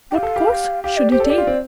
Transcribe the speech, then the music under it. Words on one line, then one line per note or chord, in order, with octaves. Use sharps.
What course should he take?
G4 F5 G5
A4
G4
G4
G4 F5
D5
G4 C5
A4
D5
G4
F4
C4